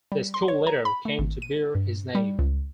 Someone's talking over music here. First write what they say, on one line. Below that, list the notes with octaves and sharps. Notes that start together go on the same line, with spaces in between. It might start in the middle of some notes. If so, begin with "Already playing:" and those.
The school later came to bear his name.
G3
C6
C#5
A#5
B5
A3
G#1
D#7
G2
G3
C#2